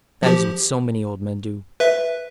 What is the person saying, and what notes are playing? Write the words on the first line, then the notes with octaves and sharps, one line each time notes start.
That is what so many old men do.
F3 G4
B4 E5